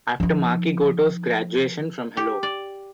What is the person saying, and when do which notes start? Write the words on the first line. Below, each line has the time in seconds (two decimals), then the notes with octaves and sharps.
After Maki Goto's graduation from Hello!
0.20 F3 D#4
2.17 G4
2.43 D5